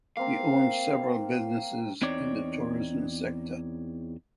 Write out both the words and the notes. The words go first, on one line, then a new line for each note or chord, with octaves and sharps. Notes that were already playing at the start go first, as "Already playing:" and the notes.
He owns several businesses in the tourism sector.
A#3 C4 F5 A#5
E2 C4 D#4 C#5 D5